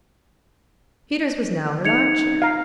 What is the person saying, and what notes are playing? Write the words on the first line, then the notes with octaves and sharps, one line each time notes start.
Peters was now in an arm-chair.
D#4 G#6 C#7 F7
F5 A#5